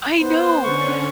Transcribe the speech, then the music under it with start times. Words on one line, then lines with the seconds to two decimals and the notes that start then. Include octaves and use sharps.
I know.
0.20 B3 C5
0.64 D3 C#4 D4 C#6